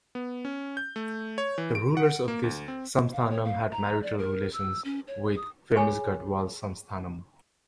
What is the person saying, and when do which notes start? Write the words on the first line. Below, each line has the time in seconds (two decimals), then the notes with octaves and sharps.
The rulers of this Samsthanam had marital relations with famous Gadwal Samsthanam.
0.15 B3
0.45 C#4
0.77 G6
0.96 A3
1.38 C#5
1.58 E3
1.75 D7
1.97 F#5
2.28 A#3
2.44 D2
2.68 C4
3.13 F5
3.30 C#5
3.44 F5
3.72 A#5
4.03 D5
4.18 A#4
4.53 E6
4.84 C#4
5.07 C#5
5.37 D#6
5.76 G#4 C#5 G#5 B5 C#6